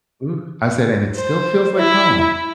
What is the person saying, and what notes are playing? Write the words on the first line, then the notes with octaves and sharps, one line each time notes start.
Ooh. I said, and it still feels like home.
C5
E4
E4